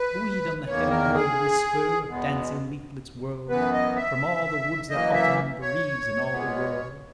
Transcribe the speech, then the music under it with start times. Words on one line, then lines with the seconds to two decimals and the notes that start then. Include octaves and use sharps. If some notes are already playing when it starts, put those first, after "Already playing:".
Buoyed on the heaven-heard whisper Of dancing leaflets whirled From all the woods that autumn Bereaves in all the world.
Already playing: B4
0.67 E2 D#3 A#3 C#5
0.90 A#4
1.14 G#4
2.08 E2 B2 G#3 B3
3.49 F#2 E3 B3 B4
3.73 D#5
3.96 E5
4.90 F#2 E3 A#3 D#5
5.14 E5
5.61 C#5
6.32 A#2 G#3 B3